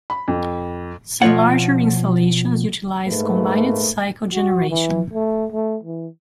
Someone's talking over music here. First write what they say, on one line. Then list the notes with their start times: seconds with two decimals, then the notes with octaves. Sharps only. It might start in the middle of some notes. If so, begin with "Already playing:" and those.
Some larger installations utilize combined cycle generation.
0.10 B5
0.28 F2
1.22 B2 F3 F4 C#5 D5 F#5
3.07 G#2 A3 A#3 B4
4.34 F#4
4.70 E3
5.14 A3
5.52 A3
5.84 E3